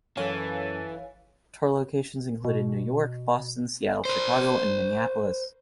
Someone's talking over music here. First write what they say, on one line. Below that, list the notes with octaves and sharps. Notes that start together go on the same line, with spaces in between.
Tour locations included New York, Boston, Seattle, Chicago, and Minneapolis.
F#2 E3 A4 C#5 F5 G#5
B2
A#4 C5